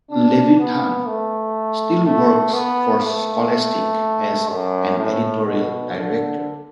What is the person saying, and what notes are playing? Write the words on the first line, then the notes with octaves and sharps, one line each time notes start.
Levithan still works for Scholastic as an editorial director.
D4
B3
A3
A3
B3
A3
F#2
A2
B2
D3